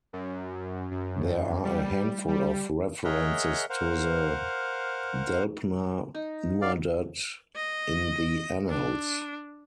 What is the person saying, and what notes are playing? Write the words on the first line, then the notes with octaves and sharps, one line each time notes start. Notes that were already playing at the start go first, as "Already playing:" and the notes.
There are a handful of references to the Delbhna Nuadat in the annals.
F#2
F#2
G3
G3
G#4 A#4 C#5 D#5 E5 F#5
A#4 C5 F5 F#5
D#4
D5 F5
D#5
D4